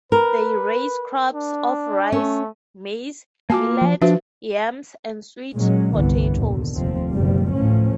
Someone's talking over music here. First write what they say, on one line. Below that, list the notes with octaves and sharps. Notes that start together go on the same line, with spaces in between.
They raise crops of rice, maize, millet, yams, and sweet potatoes.
A#4 B4
D4
A3 C#4
A#3 F4 F#4 G#5 A5 D6
F3
F3 D4 F#4 B4 E5
A#2 F#3 G#3 C#4
G1 C2 D3 E3 B3
D#2 A#2 D3
F1 D#2 F3 C4
F#1 D2 B2 F3 G3
A1 A2 F3 C#4